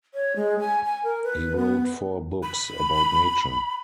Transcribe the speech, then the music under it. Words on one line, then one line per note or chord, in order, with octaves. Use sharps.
He wrote four books about nature.
C#5
G#3
G#5
G#5
A#4
B4
B3
B5